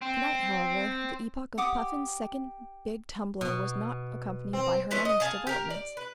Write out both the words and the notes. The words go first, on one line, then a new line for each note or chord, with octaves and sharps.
To-night, however, the epoch of Puffin's second big tumbler was not accompanied by harmonious developments.
C4
G4 F#5 D6 D#6
B2
C4
F3 B3 C#4 E4
D#5
G#4 F5 A5
G4 A#4
D5
B4